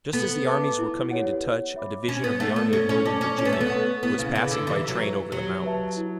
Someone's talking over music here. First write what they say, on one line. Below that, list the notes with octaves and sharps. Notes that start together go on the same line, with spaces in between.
Just as the armies were coming into touch a division of the Army of Northern Virginia was passing by train over the mountains.
B3 A4
E5 A5 D6
E4
G4 C#5 F#5
C#5
E5 B5 D6
C#4 D4
B3
A3 A4 D5 F#5
B3
C#4 A4
C#4
C#4 D5 A5 D6
C#4
C#4 C#5
B3
A3
B3
F#5 C#6
B3 E4
C#3
C#3 B4 F#5 B5 D6
D3
E3 G4
F#3
B4 E5
F#3 G4
B4 E5 A5
E4